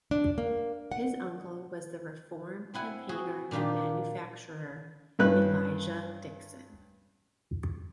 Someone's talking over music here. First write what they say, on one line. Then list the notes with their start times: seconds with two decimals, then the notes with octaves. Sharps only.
His uncle was the reform campaigner and manufacturer Elijah Dixon.
0.11 D4
0.38 A#3
0.92 F#5
2.74 C4 E4 F#5 G#5
3.09 F#4 G#4
3.51 A#2 D#3 D4 F4 G4
5.19 G2 C#4 B4 F#6